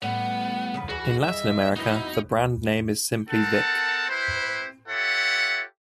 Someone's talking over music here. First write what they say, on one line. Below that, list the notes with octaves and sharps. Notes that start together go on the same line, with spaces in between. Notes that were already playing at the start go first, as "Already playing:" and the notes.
In Latin America, the brand name is simply Vick.
A2 G3 B3 F#5
C#3 F3 B4
E3 G3 F#4 G#4
D#5 E5
F2 B3 D#4 E4 F#4
C4 A4 A#4 F#5 A5
E4 G4 B4 C5
F4 G4 A4 C#5 E5 F#5